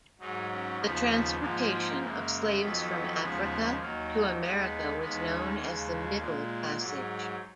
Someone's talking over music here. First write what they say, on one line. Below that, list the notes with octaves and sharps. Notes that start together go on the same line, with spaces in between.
The transportation of slaves from Africa to America was known as the Middle Passage.
G#2 F#3 D#4
C#4
D#2 C#3 F3 B3
G#2 F3 G#3 A#3
F#2 C#3 G#3
F2 D#3 F#3 B3
D#2 C#3 F3 G#3 B3
D#2 D#3 F#3 A#3
D#2 D#3 G#3 B3
D#2 D#3 G#3 B3
C#4
D#2 C#3 G#3
A#2 G#3
G#2 F#3